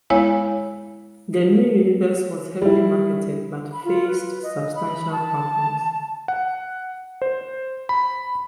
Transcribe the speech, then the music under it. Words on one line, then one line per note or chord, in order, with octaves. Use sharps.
The New Universe was heavily marketed, but faced substantial problems.
G#3 B3 E4 C#5 F5 G#5
G3 E4
B5
F4
B4
D#5
B5
A5
F#5
C5
B5